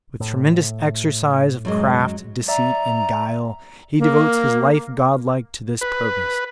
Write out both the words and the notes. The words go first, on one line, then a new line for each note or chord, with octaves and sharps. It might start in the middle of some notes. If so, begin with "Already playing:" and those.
With tremendous exercise of craft, deceit, and guile, he devotes his life godlike to this purpose.
A2
F#2 F#3 G#3
D5 E5 A#5
A#3
B4